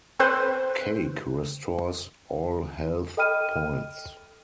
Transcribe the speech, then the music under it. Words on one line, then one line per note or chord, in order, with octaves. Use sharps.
Cake restores all health points.
C4 A4 B4 C5 C6
A4 D#5 G5 B5 F6 D#7